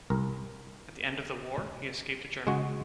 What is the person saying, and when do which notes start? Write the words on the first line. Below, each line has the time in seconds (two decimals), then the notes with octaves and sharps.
At the end of the war, he escaped to Germany.
0.10 C2 A#4
2.47 C#3 G#3 F#4